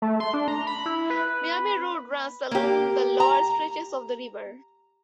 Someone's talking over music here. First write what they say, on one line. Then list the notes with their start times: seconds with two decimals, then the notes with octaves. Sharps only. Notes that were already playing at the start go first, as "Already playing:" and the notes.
Miami Road runs along the lower stretches of the river.
0.02 A3
0.20 C6
0.34 D4
0.48 A#5
0.67 B5
0.86 E4
1.10 B4
2.51 A#3 G4
3.20 A#5